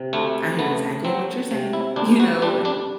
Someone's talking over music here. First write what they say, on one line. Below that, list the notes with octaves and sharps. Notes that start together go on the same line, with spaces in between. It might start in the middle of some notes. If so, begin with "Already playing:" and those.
I hear exactly what you're saying," you know, like,
Already playing: C3
D2 A3
A3 B3
F#3 C4
C3
E4
D2 D4
F#4
G3 D4
D4